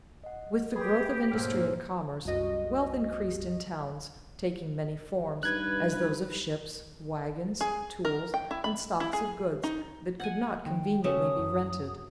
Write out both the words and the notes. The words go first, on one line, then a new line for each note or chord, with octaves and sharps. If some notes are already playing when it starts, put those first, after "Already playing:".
With the growth of industry and commerce, wealth increased in towns, taking many forms, as those of ships, wagons, tools, and stocks of goods, that could not conveniently be rented.
D#5 F#5
G4 G#4 B4 B5
B1 G#2 A#3 C5 E6 F6
C2 F#2 F#4 D#5
G2 D#4 B4 F#6 G#6
G#4
A#4
G5
E4
B5
E4
G#4
D#4
F#5 G#5
D#3 G5
C#3 F#3 A3 C#4 D#6
F#2